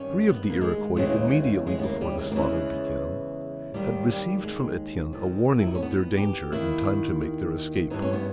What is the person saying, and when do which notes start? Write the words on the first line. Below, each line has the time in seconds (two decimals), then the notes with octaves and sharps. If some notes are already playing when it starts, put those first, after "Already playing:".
Three of the Iroquois, immediately before the slaughter began, had received from Etienne a warning of their danger in time to make their escape.
Already playing: G2 D#3 C#4
0.28 B3
0.50 A#3
0.61 G#3
0.97 D#2 C#3 E3 G#3
1.67 G#3
1.79 B3
1.83 A#3
2.01 G3
2.19 G#3
2.32 A#3
2.35 E2 C#3 E3 G#3
3.74 D#2 D#3 G3
4.09 G3
4.43 G#3
5.13 E2 D#3
5.59 E4
5.67 D#4
5.75 C#4
5.82 B3
6.17 G4
6.52 D#2 D#3 E4
7.90 G2 E3 D#4
8.02 C#4
8.13 B3